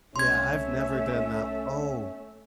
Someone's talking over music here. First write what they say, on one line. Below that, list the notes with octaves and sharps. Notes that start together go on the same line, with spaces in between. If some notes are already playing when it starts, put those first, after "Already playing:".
Yeah, I've never done that o Oh,
C2 A3 C#4 E5 C6 G#6